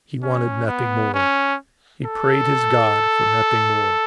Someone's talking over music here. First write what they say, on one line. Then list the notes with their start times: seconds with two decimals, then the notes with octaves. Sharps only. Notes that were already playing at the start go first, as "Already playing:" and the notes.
He wanted nothing more, He prayed his God for nothing more.
0.22 C#4
0.68 B3
1.14 C#4
2.06 A4